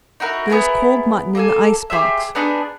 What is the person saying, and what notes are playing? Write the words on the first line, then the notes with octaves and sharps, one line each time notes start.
There is cold mutton in the ice box.
D#4 E4 F#4 A#4
B3 E4 G#4 A#4
A#3 A4 G#5
G4 G#4 C5 E5
B3 D4 D#4 G#4